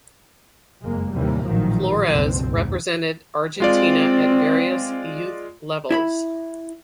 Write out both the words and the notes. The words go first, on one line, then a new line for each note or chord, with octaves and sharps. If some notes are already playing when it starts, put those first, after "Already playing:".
Flores represented Argentina at various youth levels.
F#1 F2 G#3 A#3
D#2 A2 C3 E3 G3 A#3
A1 A#2 D#3 F3 F#3
F#1 C2 G2 B2 C4
A1 E2 G#2
G#3 C4 F4 D5
E4 E5 B5